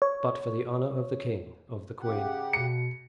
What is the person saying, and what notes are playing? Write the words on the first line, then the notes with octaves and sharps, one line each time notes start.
"But for the honor of the king--of the queen."
C#5
C#3 G4 F#5
B2 C#7